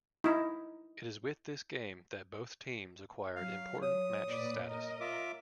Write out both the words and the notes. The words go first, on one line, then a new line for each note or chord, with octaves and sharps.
It is with this game that both teams acquired important match status.
D#4 E4
F#3 F5
C#5 D#6
A#2 B4 D5
A#4 D#5
F4 E5 D6